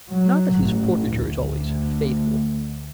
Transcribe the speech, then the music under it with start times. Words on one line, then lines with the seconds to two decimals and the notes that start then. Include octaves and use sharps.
Not that his portraiture is always faithful.
0.12 F#3
0.58 A1
1.14 D2